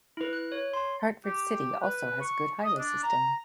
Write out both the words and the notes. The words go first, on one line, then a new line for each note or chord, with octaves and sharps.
Hartford City also has a good highway system.
E4 B4
F#6
C#5
C6
G4
B4
C#6
D#5
D4
A#5